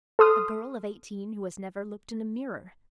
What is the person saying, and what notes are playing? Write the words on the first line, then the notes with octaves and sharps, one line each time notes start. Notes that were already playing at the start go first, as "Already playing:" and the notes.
A girl of eighteen who has never looked in a mirror!
A4 C6 D#6 F6